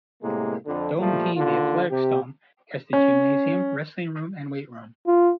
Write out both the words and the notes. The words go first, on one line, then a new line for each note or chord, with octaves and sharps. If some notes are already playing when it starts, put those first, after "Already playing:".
Dome D, the athletics dome, has the gymnasium, wrestling room and weight room.
A2 C3 G#3 A#3
F2 D3
A#2 F3 G3 A3 A#3
D#2 D3 F4
C3 G4
C#4
F4